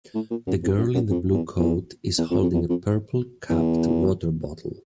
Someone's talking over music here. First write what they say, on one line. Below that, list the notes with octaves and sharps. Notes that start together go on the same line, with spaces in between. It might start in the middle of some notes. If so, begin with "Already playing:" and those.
The girl in the blue coat is holding a purple capped water bottle.
A2
A#2
F#2
F2
F#2
F#2
F2
E2
E2
E2
F2
F2
E2
F2
E2